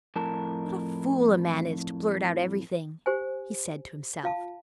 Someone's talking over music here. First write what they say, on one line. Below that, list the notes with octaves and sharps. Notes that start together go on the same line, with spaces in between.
"What a fool a man is to blurt out everything!" he said to himself.
F2 A2 A#4 A5
G4 C5 G#5
F4 F5 A5